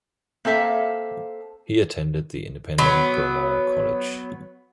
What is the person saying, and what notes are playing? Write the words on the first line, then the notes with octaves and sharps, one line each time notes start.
He attended the independent Beaumont College.
A#3 C4 A4 E5 F5
F#3 B3